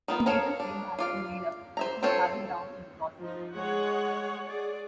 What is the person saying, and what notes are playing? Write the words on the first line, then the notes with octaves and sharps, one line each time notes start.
She later came back and made up, kissing Charlie Brown in the process.
D#3 B3 F4
A4 A#4 C#5 F5 A#5
D4
F4 D5 F5
C5 E5 A#5
C4 F4 A4 C5 C#5
F3 D#4
G#3 G#4 C#5 F#5
G#4 D5